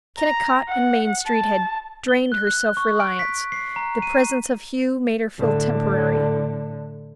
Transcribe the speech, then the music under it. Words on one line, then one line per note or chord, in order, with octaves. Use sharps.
Kennicott and Main Street had drained her self-reliance; the presence of Hugh made her feel temporary.
A#5
F#5
A5
G7
F#6
F#6
C#6
D7
B6
C7
A#5
D#7
A2 D3